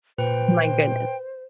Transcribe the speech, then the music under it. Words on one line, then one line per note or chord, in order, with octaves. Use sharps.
My goodness.
A#2 B4 C5 G5